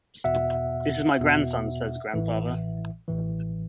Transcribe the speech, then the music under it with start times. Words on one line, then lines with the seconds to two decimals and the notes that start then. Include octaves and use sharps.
"This is my grandson," says Grandfather.
0.24 E2 B2 E5 F#5
1.19 E2 B2
2.14 A1 A2 E3
3.08 A1 A2 E3